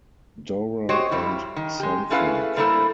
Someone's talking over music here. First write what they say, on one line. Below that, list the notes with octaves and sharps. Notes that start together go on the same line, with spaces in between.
Dora and Sanford.
F#4 G4 C5 C#5 D#5
F2 G3 E4
D#3
G#3 G4
A3 C#4 E4 G#4 B4 F5
G3 A3 A#3 E4 A4 C5